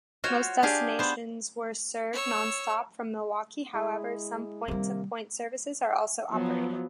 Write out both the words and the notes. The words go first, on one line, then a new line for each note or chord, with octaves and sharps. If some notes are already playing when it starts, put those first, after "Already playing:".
Most destinations were served nonstop from Milwaukee; however, some point-to-point services were also operated.
F4 F#4 C5 C#5
D4 G4 G#4 F5
B3 C5
C#5 E6
G#3 E4 G#4
C3 D#3 G3 A#3
F3 F#3 B3